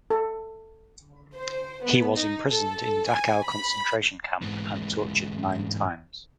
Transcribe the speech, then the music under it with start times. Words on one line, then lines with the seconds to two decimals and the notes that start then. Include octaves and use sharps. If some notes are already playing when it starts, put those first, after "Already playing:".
He was imprisoned in Dachau Concentration Camp and tortured nine times.
0.10 A4
1.36 C5
1.84 B3
2.16 D#4
2.49 A4
3.09 G#5
3.47 B5
4.42 G#2 E3